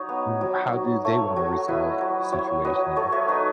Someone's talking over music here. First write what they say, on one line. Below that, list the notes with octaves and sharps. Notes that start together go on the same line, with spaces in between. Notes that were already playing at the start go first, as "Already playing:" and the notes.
w how do they wanna resolve the situation?
Already playing: F#3 D#4 C#5
B3
F#3
F#3
A3 C#5 E5
F#3
E4 B4 D#5
F#3
F#3 C#5 E5
F#3 B4 D#5
A3 A4 C#5
C#5 E5
D#4 B4 D#5